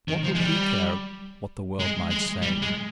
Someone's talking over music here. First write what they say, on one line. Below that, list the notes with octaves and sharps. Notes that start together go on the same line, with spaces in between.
What would he care what the world might say?
D#3
F3
G#3
G3
G#3
G#3
G3
G#3